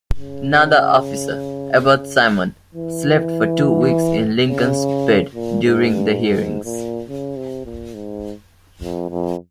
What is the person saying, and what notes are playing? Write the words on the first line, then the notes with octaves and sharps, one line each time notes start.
Another officer, Abbott Simon, slept for two weeks in Lincoln's bed during the hearings.
C#3
E3
C#3
A#2
G#2
G2
G#2
A#2
C#3
C3
A#2
G#2
F2
F2